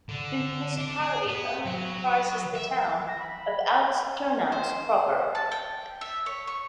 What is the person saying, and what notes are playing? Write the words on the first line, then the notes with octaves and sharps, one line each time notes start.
The municipality only comprises the town of Oud-Turnhout proper.
D3
D4
G#4
B3
F#3
E5
A#6
B5
C5
A5
G5
E5
C#5
C#6